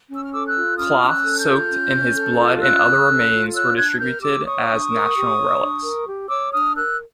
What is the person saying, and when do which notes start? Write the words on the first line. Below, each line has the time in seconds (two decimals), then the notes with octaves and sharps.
Cloth soaked in his blood and other remains were distributed as national relics.
0.09 C#4
0.16 E6
0.24 F6
0.32 A4 D6 E6
0.47 E6 F#6
0.54 F4
0.78 C#4 D#6 F6
1.01 C#4
1.08 E6 F#6
1.24 A4
1.38 F6 G6
1.47 F4
1.70 C#4
1.93 C#4
2.15 A4
2.39 F4
2.61 C#4 E6 F#6
2.85 C#4
3.08 A4
3.30 F4
3.54 C#5 E6 F#6
3.77 D4 F#6 G#6
3.92 G#6
3.99 A#4 F6 G6
4.22 G4 D6 E6
4.46 C#5 C#6 D#6
4.69 D4
4.91 A#4
5.15 G4
5.37 C#5
5.61 D4
5.84 A#4
6.07 G4
6.29 C#5 D6 E6
6.52 D4 D#6 F6
6.76 A#4 E6 F#6